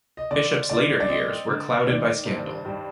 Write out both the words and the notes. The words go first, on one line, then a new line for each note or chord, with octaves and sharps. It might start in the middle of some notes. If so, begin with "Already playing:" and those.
Bishop's later years were clouded by scandal.
D#5
D3 D5
D3 D5
D5
C4 D#5
D3
D#3 D5
G2 C5
G2 G4